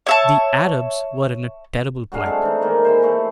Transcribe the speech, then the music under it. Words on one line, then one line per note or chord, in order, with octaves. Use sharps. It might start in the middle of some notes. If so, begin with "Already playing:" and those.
The Arabs were in a terrible plight.
C#5 E5 A5
F#3 G#3 D4 F5
A3 C4 G#4 A4
E3 D#4
D#3 G#3 A#3
G#3 E4 C5
E3 A3 C4 E4